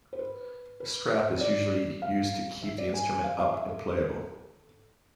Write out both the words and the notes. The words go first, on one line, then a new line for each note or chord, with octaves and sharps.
A strap is usually used to keep the instrument up and playable.
C5
B4
B4
D5
F5
E5
D5
G#5
G#5
F5
F5
E5
A4